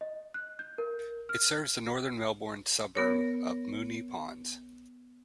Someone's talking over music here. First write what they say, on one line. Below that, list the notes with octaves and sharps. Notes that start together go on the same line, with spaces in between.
It serves the northern Melbourne suburb of Moonee Ponds.
D#5
F#6
G6
A#4
F6
B3 A#4 C#5